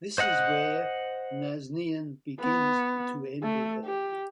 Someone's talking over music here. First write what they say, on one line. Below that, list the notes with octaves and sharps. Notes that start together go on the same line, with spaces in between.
This is where Nazneen begins to envy her.
C5 D#5 F#5 F#6
B3
A3
G4